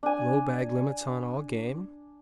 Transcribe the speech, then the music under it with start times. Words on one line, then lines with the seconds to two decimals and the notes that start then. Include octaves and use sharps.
Low bag limits on all game.
0.03 D4 G#5